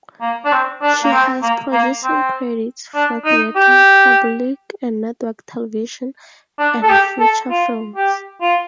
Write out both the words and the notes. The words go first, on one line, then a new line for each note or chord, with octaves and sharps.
She has producing credits for theater, public and network television, and feature films.
A#3
D4
C4
D4
A#3
C4
A#3
A#3
C4
D4
D#4
G4
D4
A4
G4
A4
F4
G4
F4